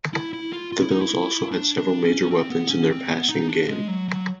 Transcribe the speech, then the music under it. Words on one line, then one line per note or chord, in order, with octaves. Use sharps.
The Bills also had several major weapons in their passing game.
E4
E4
F4
F4
E4
D#4
E4
D4
D4
C#4
C4
B3
C#4
C4
B3
D#4
D4
G#3
F#3
F#3